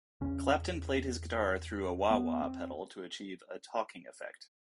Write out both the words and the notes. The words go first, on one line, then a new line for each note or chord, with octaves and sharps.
Clapton played his guitar through a wah-wah pedal to achieve a "talking-effect".
E2 C#3 C#4
B3
C4